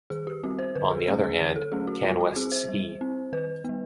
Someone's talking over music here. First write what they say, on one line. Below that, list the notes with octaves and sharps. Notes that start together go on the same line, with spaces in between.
On the other hand, Canwest's E!
D#3 G#4
G4
G3 C4 F#4
C5
D3 B4
G#4
F#3 A3 C#4 G#4
G#4
D3
A4
F#3 A3 C#4 G#4
F#4
G3 F4
F#4
C4 G#4
C5
G3
C4
D#3 B4
G3 B3